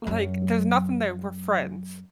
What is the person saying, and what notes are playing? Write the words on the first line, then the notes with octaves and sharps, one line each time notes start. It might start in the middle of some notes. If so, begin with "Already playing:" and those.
like, "There's nothing there, we're friends."
F#2 F#3